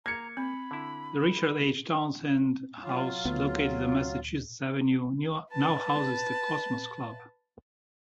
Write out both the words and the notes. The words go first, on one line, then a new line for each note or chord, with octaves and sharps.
The Richard H. Townsend House located on Massachusetts Avenue now houses the Cosmos Club.
A#3 A#5 G#6 C#7
C4 B5
D3 E4
F#3 F4
D2 B3
B4 A5